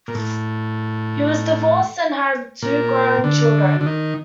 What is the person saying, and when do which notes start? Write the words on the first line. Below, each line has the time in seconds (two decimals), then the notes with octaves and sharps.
He was divorced and had two grown children.
0.08 A#2
0.15 A2
2.62 A#2
3.24 D3
3.81 D3
3.86 D#3